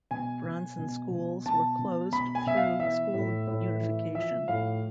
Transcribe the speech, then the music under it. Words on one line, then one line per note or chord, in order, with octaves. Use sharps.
Bronson schools were closed through school unification.
B2 G#5
B2
B2
B2
B2 A5
B2
B2 B5
G#5
B2 E5
F5
E3 E5
A2
A2
E3
F3 E5
A2 F5